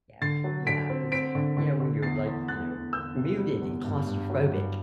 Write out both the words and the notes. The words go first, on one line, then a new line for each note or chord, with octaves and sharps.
Yeah. Yeah, 'cause, you know, when you're, like, you know, muted and claustrophobic,
D3 A6 C7
F#3
D3 B6 D7
C4
C4 B6 D7
D3
D3
D3
E2 A6 C7
E2
E2 F#6 A6
E2
E2 E6 G6
C3
G3
E2
G2
G2
F#3
G2